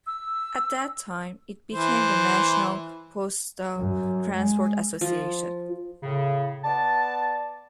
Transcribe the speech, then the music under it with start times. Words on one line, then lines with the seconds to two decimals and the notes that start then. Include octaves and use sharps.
At that time, it became the National Postal Transport Association.
0.07 E6
1.72 E3 C5
3.77 F#2
4.34 G#3
5.01 F3
6.03 A2 C#3
6.64 B3 D5 A5